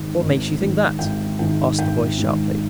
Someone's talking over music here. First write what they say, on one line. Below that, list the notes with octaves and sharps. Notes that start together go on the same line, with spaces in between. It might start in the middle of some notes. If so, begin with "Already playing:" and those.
"What makes you think that?" asked the voice sharply.
Already playing: G#1 G#2 D#3
G#1
G#2 D#3
G#1 G5
G#2 D#3 G5
G#1 G5
G#2 D#3